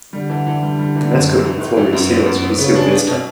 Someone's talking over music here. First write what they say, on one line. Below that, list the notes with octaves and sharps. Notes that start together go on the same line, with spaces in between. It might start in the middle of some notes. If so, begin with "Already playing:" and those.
The mascot of the Florida Seals was Sealvester.
D3 G3
E3
E3
G3
G3
E3
F#2
G1
E3
G1
E3
F#2
B3
F#2
B3
C#3 B3
D4
B3
B2